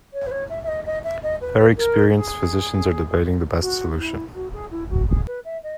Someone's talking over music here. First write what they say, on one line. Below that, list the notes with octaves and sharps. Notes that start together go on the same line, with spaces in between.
Very experienced physicians are debating the best solution.
C#5
B4
C#5
E5
E5
D#5
D#5
E5
D#5
B4
A#4
G#4
F#4
E4
F#4
G#4
E4
F#4
G#4
B4
E5
D#5